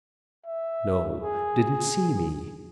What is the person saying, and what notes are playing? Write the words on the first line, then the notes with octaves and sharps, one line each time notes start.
No. Didn't see me.
E5
G#4